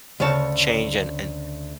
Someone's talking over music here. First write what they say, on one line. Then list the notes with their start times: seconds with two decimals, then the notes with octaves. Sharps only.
change and and
0.20 D2 C#3 A3 C#5 A5